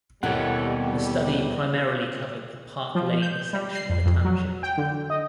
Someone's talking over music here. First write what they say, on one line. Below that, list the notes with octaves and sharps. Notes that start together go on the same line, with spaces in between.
The study primarily covered the Park Layne section of the township.
D#2 B2 G3 C4 E4 A4 C#5 F#5
F3
G6
G3
C7
F2
F2
F#3
G5
D3
D#5